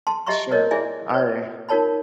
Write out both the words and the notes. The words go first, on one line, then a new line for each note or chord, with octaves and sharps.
Sure, I
A5 C6
G4 D#5 E5 A#5 C6 C#6
A#4 C#5 D#5
E4 G#4 D5 E5 G#5
B4 C#5
D#4 F4 A#4 C#5 A5 B5